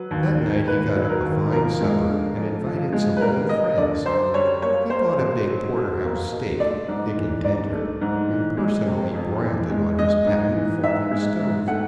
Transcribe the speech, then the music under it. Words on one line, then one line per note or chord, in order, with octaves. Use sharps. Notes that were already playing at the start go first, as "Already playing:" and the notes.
That night he got up a fine supper, and invited some old friends. He bought a big porterhouse steak, thick and tender, and personally broiled it on his patent folding stove.
Already playing: F#3 B4
D#2
D#3
D#2 B4
F#3
A#4
D#2
F3 A#4
G#3
D3
F2
F3
G#3
B4
G3 A#4
A#3 D#5
D3 D5
F#2 C5
G3 C#5
A#3 C#5
A#3 C5
B2
F#3
B2
A#3
B2
A3 D5
G#2
E3
G#2 D5
A3
G#2
E3
G#3
C3
F2
E3
G#3
G#3 D#5
G#2
E3
G#2 E5
G#3
G#2
A3 F#5